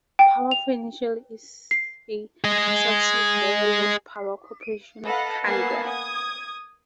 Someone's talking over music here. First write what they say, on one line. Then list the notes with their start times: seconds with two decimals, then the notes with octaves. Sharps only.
Power Financial is a subsidiary of Power Corporation of Canada.
0.19 G5
0.51 F7
1.71 C7
2.44 G#4 D#5
5.04 A4 B4 D#5 F5 F#5 A5
5.44 A#3 B3 F#5 G#5 A5 C7
5.87 D#6 G#6